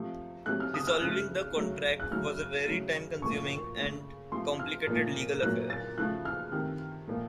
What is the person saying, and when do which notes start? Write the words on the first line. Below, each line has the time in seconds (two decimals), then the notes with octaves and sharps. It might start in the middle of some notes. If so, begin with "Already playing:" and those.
Dissolving the contract was a very time consuming and complicated legal affair.
Already playing: C3 F3 A3
0.46 C3 F#3 A3 F#6
0.60 F6
0.74 D#6
0.87 F6
1.01 C#3 A3 F#6
1.56 C#3 F#3 A3
2.00 F#6
2.11 C#3 F#3 A3 F6
2.67 C#3 F#3 A3
3.22 A#2 F3 A3 C#6
3.77 C#3 A3
4.32 C3 F3 A3 C6
4.59 F6
4.87 A#2 F3 A3
5.42 A#2 F#3 A3 F#6
5.70 A6
5.98 C#3 F3 A3 F#6
6.25 F6
6.52 C3 D#3 A3
7.08 A#2 F3 A3